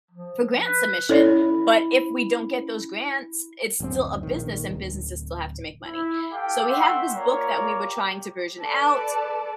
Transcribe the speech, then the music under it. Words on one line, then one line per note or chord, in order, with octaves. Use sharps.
for grant submission. But if we don't get those grants, it's still a business and businesses still have to make money." So, we have this book that we were trying to version out.
F3
B4
C#4 E4 A4 C#5 D5
D1 F#2 C4
A#1 D#3
D1
E4
G4 A4 F5 G5 D6
A3 E5 F#5 G5 C6
A#3 F4 C#5 D5 A#5
G4
A4 B4 D5 A5